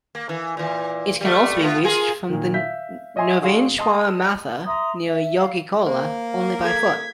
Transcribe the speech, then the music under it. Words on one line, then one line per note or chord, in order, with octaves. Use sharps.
It can also be reached from Nirvaneshwara Matha near Yogikolla, only by foot.
A#3
E3
A#2 E3
G3 A3
A3 B3 F4
F4 G#4 A#4
A#2 D#3
E5 F5 G6 B6
C#5 D#5 E5 G#5 C6
D4 F#4 G#4 F5 C6
D#5 A5 C6 D#6
E5 A#5 C6 D#6
E5
F5
A#3 C5
A4 G#6 B6